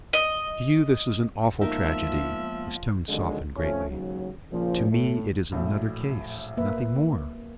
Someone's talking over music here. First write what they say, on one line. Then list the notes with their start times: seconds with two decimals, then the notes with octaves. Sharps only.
To you this is an awful tragedy," his tone softened greatly, "to me it is another case, nothing more.
0.13 D#5
1.61 F3 G#3 A#3 B3 D#4 A#4 E5
3.09 F2 D3 D#3 F#3 G#3
3.56 F2 F3 A3 C#4
3.90 D#2 G#2 C#3 F#3
4.52 A#2 C#3 F3
4.90 A2
5.52 A#1 A2 F#3
6.57 A#3 B4 E5